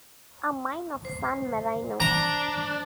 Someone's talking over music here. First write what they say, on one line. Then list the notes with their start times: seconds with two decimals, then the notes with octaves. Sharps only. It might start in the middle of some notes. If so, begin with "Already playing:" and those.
Amine of San Marino.
1.05 C5
2.00 D4 A#5